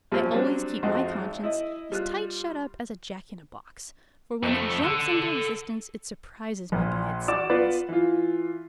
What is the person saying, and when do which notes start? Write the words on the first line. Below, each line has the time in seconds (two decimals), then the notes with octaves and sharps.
I always keep my conscience as tight shut up as a jack-in-a-box, for when it jumps into existence it surprises me by its size.
0.12 F#2 A#2 F3 G3 C#4
0.33 F#3 G3 C4 D4
0.83 G#1 F2 F#4 D#5 F#5 C6
1.18 G#1
1.43 E4 D#5
1.92 G3 F4 F#6
4.43 F2 A3
4.83 A4 F#5
6.72 A#1 A#2
7.28 F#4 D5 D6 E7
7.50 B3 F4 B4 D5
7.89 E3 F4